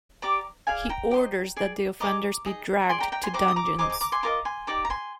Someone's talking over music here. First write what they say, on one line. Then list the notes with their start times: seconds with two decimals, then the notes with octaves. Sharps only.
He orders that the offenders be dragged to dungeons.
0.22 G4 D5 A#5 D6
0.67 G#4 D5 F5 G#5
0.89 G5 A#5
1.11 G4
1.14 C5 D#5
1.56 G#4 D5
2.00 G#4 C5 D#5 A#5 D6
2.45 D#4 G#4 D#5
2.89 G#4 D5 G#5 C6
3.00 G5 A#5
3.12 G5 A#5
3.23 G#5 C6
3.34 D#4 G4 C5 A#5 D6
3.48 D#6
3.56 A#5 D6
3.78 G#4 C5 D#5 A#5 D6
3.90 A#5 D6
4.01 A#5 D6
4.12 G#5 C6
4.23 F4 A#4 D#5 A#5 D6
4.45 G#5 C6
4.67 D#4 G4 D5 A#5 D6
4.85 A#5
4.90 G#5 C6